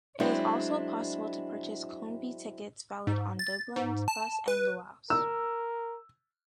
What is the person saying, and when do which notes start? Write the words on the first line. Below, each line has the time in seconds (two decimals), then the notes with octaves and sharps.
It is also possible to purchase 'Combi' tickets valid on Dublin Bus and Luas.
0.20 F#3 G#3 C4 D4 E4
3.07 G#2
3.39 A6
3.76 G#2
4.08 A5
4.48 B4
5.10 A#4 E6